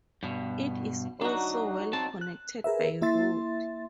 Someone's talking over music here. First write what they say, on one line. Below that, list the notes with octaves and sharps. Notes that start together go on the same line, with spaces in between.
It is also well connected by road.
G2 B2
F#3 D4 D#4 F#4
C4 A5
F#6
G#4 A#4 B4 E5
A#3 E4 E5 C6 A6